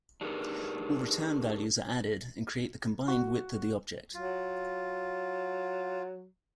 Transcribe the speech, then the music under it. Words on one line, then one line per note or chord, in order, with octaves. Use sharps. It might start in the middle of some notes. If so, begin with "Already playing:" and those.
All return values are added and create the combined width of the object.
D4 D#4 G4 G#4 A#4 B4
F#4
F#3 F4